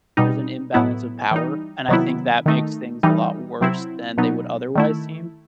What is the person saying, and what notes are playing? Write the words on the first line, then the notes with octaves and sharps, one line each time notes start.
there's an imbalance of power, and I think that makes things a lot worse than they would otherwise seem.
B2 G3 D#4
A2 F#3 B3 E4
E3 G3 D#4
C3 D#3 F#3 B3 E4
D#3 A3 D#4
E3 G3 D#4
C3 F#3 C4 E4
B2 F#3 B3 D#4
D#3 A3 E4